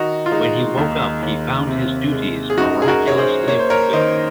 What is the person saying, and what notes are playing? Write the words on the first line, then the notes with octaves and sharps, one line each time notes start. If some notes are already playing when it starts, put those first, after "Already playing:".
When he woke up he found his duties miraculously fulfilled.
Already playing: D#3 D#4 F#4
F4
G#3 D#4
D#2 D#4
D#2
C3
G#3
G#4
F#2 D#4 F#4
G#4
F#4 A#4
F#2 C#5
G#4 C5
A#3 C#5
C5
A#4 C#5
D#3 C5 D#5